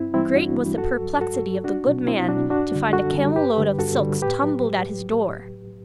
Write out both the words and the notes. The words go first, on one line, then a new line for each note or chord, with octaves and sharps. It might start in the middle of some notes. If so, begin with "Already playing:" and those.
Great was the perplexity of the good man to find a camel-load of silks tumbled at his door!
Already playing: G2 C4 E4
E3 G3 C4 E4
G2 D4 F#4
E3 G3
G2 F#4 A4
F#3
G2 F#4 A4
F#3
C2 D4 F#4
B2 F#3
C2 C4 E4
B2 F#3 D4 F#4
F#2 D4 F#4
D3 G3
F#2 F#4 A4
D3 G3
G2 G4 B4
D3 G3
G2 F#4 A4
D3 G3
A2 G4 B4
F#3